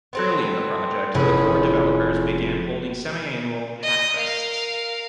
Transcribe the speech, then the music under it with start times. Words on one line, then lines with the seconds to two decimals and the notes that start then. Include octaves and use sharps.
Early in the project, the core developers began holding semi-annual "Hackfests".
0.13 B3 C4 A4
1.14 F1 E3 C#4 E4 G#4 B5
3.83 D#5
4.15 A#4 F5